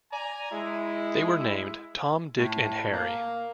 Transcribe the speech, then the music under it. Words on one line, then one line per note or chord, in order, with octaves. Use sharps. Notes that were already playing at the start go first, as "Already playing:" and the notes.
They were named Tom, Dick and Harry.
D5 G#5 A#5
G#3 E4
A2
A#3